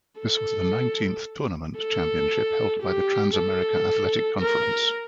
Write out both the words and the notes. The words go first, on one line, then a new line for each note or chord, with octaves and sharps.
This was the nineteenth tournament championship held by the Trans America Athletic Conference.
A4
A4
G4
A4
A#4